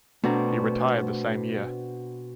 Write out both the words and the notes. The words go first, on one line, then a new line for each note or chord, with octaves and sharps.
He retired the same year.
B2 A3 C4 D4 A#5